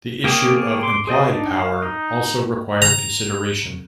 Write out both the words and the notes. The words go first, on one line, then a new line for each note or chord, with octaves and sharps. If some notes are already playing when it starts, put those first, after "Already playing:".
The issue of implied power also required consideration.
A#3 G4 G#4 C#5 D5
C6 D6
G#4 C5 D5 D#5
D4 D#4 D5
F5
D#4
A#5